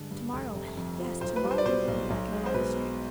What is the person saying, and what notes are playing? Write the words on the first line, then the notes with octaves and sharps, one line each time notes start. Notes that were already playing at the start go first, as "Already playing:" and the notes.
'To-morrow--yes, to-morrow they will be back in Harley Street.
Already playing: G2 D3 G#3
G2
F1
C3
F2
F3
B1 C5
B4
G3
C5
D5
B2 C5
B1
B1
G#3
C5
B2 B4
B3